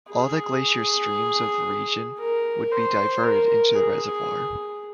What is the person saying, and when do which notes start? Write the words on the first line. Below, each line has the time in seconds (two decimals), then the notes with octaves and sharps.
All the glacier streams of the region would be diverted into the reservoir.
0.12 G#4
2.20 A#4
2.72 C5
3.24 A#4
3.76 G#4